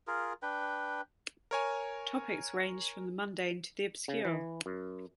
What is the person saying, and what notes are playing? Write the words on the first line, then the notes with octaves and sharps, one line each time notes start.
Topics ranged from the mundane to the obscure.
F4 G#4 A#4
D4 B4 G5
A#4 C#5 G#5
C#3
E3
F#2